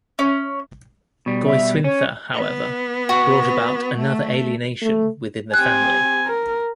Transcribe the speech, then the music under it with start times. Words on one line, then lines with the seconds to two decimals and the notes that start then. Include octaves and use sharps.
Goiswintha, however, brought about another alienation within the family.
0.19 C#4
1.26 B2 G3
1.45 E5
1.84 C#4 C#5
2.33 B3
3.09 F#4
3.99 A3
4.82 A3
5.54 C4 G4 G#5 F#6
6.26 A#4